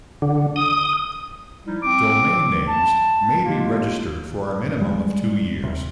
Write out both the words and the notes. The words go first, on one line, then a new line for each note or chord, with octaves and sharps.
Domain names may be registered for a minimum of two years.
D3
D#6
F3 G3 D#4 E4
C4 D6
A5
G#3 A#3 D#4 F4 G4
G3 G#3
D#2 C3